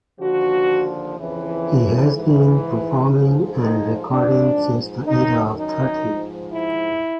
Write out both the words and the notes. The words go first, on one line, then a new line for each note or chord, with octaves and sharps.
He has been performing and recording since the age of thirteen.
D#2 D3 F3 F#4
F2 C#3 E3
G#2 E3
G#2 F3
D#4
G#2 F3 D4
F#2 D#3 D#4
D#4
G#2 F3
E4